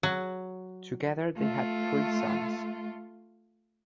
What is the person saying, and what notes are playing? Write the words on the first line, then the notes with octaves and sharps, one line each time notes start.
Together they had three sons.
F#3
A3 F4